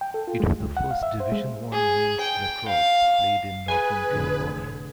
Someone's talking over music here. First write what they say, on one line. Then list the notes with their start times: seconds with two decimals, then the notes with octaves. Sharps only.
It was the first Division One men's lacrosse played in Northern California.
0.01 G5
0.14 A4
0.28 F4
0.40 G#3
0.60 D2
0.77 F#5
0.91 F5
1.03 E5
1.20 C5
1.32 G#3
1.72 G#4
2.20 G5
2.68 F5
3.68 G#4 B4 G#5
4.08 F1 A2 D3